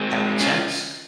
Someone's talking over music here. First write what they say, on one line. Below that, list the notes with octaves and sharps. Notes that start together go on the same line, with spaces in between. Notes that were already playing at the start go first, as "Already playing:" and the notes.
That makes sense.
Already playing: G#3 C4
C#4 F4